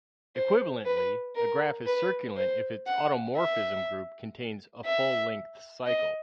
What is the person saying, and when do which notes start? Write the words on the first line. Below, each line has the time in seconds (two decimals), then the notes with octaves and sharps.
Equivalently, a graph is circulant if its automorphism group contains a full-length cycle.
0.36 C5
0.86 B4
1.35 A#4
1.86 B4
2.37 C5
2.87 F#5
3.37 E5
4.86 E5
5.87 D#5